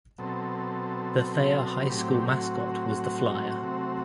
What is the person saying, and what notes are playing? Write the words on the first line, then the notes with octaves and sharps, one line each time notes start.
The Thayer High School mascot was the Flyer.
B2 F#3 C4 A4
A2 F#3 C4 G4
F#4
C3 F#3 A3 C4